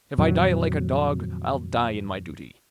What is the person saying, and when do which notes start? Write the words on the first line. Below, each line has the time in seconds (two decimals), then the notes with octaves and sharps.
If I die like a dog, I'll die in my dooty.
0.18 F2 A#2 D#3 F#3